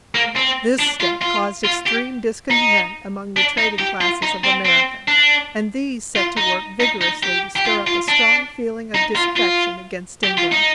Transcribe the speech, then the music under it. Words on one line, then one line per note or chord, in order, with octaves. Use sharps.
This step caused extreme discontent among the trading classes of America, and these set to work vigorously to stir up a strong feeling of disaffection against England.
A#3
C4
D4
F4
F4
F4
G4
D#4
D4
D#4
G4
F4
D#4
C4
C4
D4
F4
D#4
D#4
D#4
G4
G4
F4
F4
D4
D#4
F4
F4
G4
F4
D#4